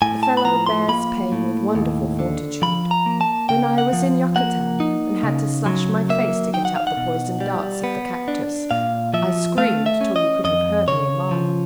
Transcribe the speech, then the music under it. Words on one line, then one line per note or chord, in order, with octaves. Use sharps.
The fellow bears pain with wonderful fortitude. When I was in Yucatan, and had to slash my face to get out the poisoned darts of the cactus, I screamed till you could have heard me a mile.
A2 G#5
A5
B5
F3 A#5
C6
A#3 B5
A2
D#2
D3
F3 B5
A#5
A#3
A5
C#3 G5
F#5
F3
A#3 F#5
D#4
C#3
F#3
A#3 E5
D#4 G5
F#5
F5
F#5
B2
G3
B3
D4
A#2 F5
F3 E5
A3 F5
E5
C#4
D#5
F2 D#5
C#3 C#5
F3